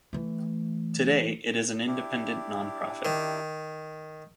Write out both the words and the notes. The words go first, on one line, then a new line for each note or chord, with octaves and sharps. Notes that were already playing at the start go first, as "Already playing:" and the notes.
Today, it is an independent non-profit.
E3 A3
D4 E4 G4
D#3